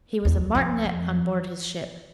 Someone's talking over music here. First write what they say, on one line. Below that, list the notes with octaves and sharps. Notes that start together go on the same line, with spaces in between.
He was a Martinet on board his ship.
E2
F2
F2